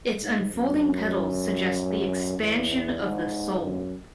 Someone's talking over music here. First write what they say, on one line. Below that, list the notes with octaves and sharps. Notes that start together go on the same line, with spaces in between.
Its unfolding petals suggest the expansion of the soul.
G#2
F#2
E2
G#2
F#2